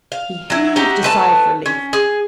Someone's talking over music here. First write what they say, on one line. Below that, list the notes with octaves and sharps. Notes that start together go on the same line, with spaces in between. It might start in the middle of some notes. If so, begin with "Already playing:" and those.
She heaved a sigh of relief.
F5
F#3 E4
D#4 F#4 G4
A3 B4 A5
C#4
G#4